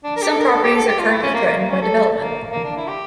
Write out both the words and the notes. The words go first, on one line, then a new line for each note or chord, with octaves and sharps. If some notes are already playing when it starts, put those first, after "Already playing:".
Some properties are currently threatened by development.
D4
A#4
G4
A4
A#4
A4
G4
A4
G4
F4
E4
C#4
A#3
A#3
A#3
C#4
A4
A#3
A#3
D4
E4
G4